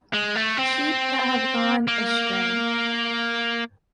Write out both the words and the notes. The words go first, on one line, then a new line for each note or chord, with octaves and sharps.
Sheep that have gone astray.
G#3
A3
C4
A#3